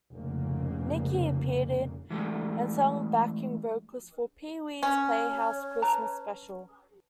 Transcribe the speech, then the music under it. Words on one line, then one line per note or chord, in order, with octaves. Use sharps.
Niki appeared in, and sang backing vocals for Pee-Wee's Playhouse Christmas Special.
F1 G#2 C#3 A#3
E3 G#3 A3
C#4 C#5
B4 A5 A#5